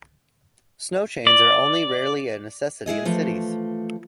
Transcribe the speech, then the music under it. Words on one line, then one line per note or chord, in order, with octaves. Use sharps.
Snow chains are only rarely a necessity in cities.
D5
G#3 E4 G#4 D#5
E3 F3 A3